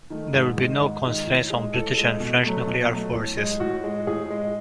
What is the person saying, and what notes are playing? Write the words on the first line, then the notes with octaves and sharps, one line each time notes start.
There would be no constraints on British and French nuclear forces.
D#3 A3
G#2 G#4
D#3 G#3
G#2
D#3 G#3
A2
G#3
A2 A4
G#3
B2
F#3 A3
B2
F#3 A3
A2
G#3
A2 F#4
G#3
A2 G#4
G#3